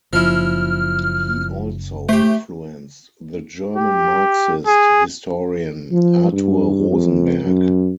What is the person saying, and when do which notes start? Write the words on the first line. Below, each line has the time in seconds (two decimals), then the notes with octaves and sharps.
He also influenced the German Marxist historian Arthur Rosenberg.
0.13 F#1 F3 E4 F6
2.09 A3 G4 C5
3.76 G4
4.67 G#4
5.92 F3
6.32 G2
6.90 F2
7.45 F#2